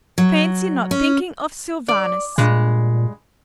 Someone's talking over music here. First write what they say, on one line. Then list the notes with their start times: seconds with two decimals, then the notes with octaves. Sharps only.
"Fancy not thinking of Sylvanus!"
0.18 F#3
0.91 C#4
1.88 D5
2.38 G2 A#2 G#3